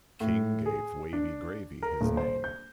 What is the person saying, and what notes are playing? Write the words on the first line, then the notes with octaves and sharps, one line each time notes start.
King gave Wavy Gravy his name.
A2
G#4
D4
A#4
D#1
C5
G6